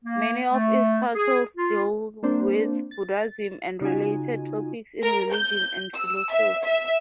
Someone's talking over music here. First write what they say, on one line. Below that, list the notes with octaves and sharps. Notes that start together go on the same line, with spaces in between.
Many of its titles deal with Buddhism and related topics in religion and philosophy.
A#3
A3
G#4
F4
A#3 C4 D4 C5
A6
C#3 D#4 F4 F#4 G#5
A#4
G6
E6
E5
E5